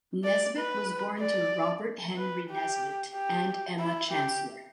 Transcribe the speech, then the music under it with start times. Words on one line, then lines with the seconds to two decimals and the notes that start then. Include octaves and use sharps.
Nesbitt was born to Robert Henry Nesbitt, and Emma Chancellor.
0.24 D5
0.57 B4
1.21 D5
2.18 B4
2.50 G4
3.15 G4
3.79 E4
4.12 G4